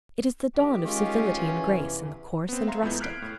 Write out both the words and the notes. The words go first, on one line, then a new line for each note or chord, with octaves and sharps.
It is the dawn of civility and grace in the coarse and rustic.
D#3 G4
G#3 C#4 F4
E3
E2 C3
B3 C4
E5 F5 A#5 C6
F2 G#3 A3 B3 E4 G6
F6 F#6 G#6 B6 C7 D7
A2